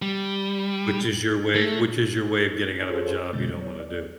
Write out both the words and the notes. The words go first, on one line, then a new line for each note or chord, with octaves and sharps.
Which is your way which is your way of getting out of a job you don't wanna do.
G3
A3
F4 G#4 A4 C5 C#5
B2 D3 G#3 G6 A6
F#3 C#5
D5